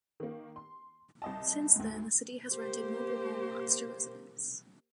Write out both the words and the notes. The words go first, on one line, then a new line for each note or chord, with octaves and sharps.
Since then the city has rented mobile home lots to residents.
D#3 A#3
C6
C2 D#5 A5
D2 G#2
A#3 G4 A#4 C5